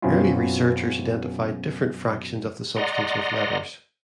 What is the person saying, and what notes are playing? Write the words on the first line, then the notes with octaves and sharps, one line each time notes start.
Early researchers identified different fractions of the substance with letters.
F#2 B2 C4 C#4 E4 F4
D5 D#5 F#5 A#5 C6